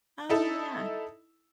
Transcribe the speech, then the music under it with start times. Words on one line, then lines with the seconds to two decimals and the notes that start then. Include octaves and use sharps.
Oh, yeah.
0.30 D#4 E4 A4